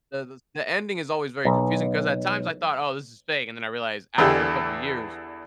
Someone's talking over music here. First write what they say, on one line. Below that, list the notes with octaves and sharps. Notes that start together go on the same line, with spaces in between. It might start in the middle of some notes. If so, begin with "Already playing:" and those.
The the s the ending is always very confusing, 'cause at times I thought, "Oh, this is fake." And then I realized after a couple years
B1
E2 D3 G4 G#4 E6